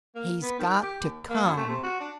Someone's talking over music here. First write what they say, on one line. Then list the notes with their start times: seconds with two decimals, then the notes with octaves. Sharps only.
"He's got to come!"
0.15 A#3
0.42 B3
0.59 D#3
0.83 G4
1.02 D#2
1.30 A#3
1.45 F#2
1.57 A3
1.69 C3
1.83 F#4
2.01 D4